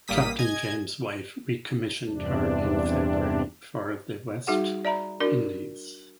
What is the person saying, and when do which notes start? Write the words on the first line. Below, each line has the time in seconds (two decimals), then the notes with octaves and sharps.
Captain James White recommissioned her in February for the West Indies.
0.08 A1 G3 A#3 D#6 B6
0.39 D#5 G#5 G#6
2.09 E2 G2 C3 D4
4.47 G3 D#4 F#4 G#4 F#5
4.85 D5 E5 A#5 B5
5.20 D4 F#4 A#4 D5